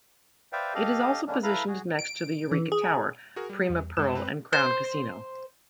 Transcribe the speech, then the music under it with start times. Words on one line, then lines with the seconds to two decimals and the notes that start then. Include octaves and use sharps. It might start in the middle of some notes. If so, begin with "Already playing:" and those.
It is also positioned next to the Eureka Tower, Prima Pearl and Crown Casino.
0.53 B4 C5 D5 E5 F5 G5
0.74 G4 A4 D#5 F5
1.27 D3 G3 G#3 A#3 C#4 D4
1.43 E4 A4 B4 F5 A#5 B5
1.68 F#4 G#4
1.99 D7
2.52 E3
2.72 G#4
3.36 F#4 G#4 A#4
3.49 G3
3.69 E2
3.97 C2 F#2 G#3 E7
4.15 C4 B4
4.53 C5